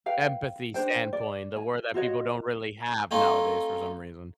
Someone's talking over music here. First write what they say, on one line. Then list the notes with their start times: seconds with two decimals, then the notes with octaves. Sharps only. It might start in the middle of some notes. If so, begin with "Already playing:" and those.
Empathy standpoint, the word that people don't really have nowadays for some reason.
0.06 B4 F5 G5
0.74 D4 F#4 C5 G5
1.13 D5
1.56 G#5
1.94 F4 F#4 C#5 D#5
3.11 A3 C4 C#4 D#4 F4